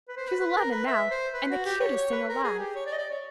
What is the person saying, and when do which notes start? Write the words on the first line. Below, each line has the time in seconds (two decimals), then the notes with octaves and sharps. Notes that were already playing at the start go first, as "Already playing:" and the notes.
She's eleven now, and the cutest thing alive.
0.08 B4
0.17 C5
0.28 B4
0.40 B4
0.56 A#4
0.71 B4
0.87 E5
1.11 C5
1.34 B4
1.50 F#4
1.66 G4
1.80 C#5
1.96 C#5
2.12 B4
2.28 A#4
2.44 G#4
2.59 G4
2.75 C#5
2.86 D5
2.92 D#5
2.98 D5
3.10 C#5